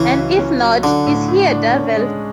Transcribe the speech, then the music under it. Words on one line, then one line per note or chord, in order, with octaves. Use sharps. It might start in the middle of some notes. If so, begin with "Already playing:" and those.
And if not, is he a devil?
Already playing: C#2 E3 C#4
F#3
C#4
F#3
D3 D4
A2
A2
D4
C#4
G#3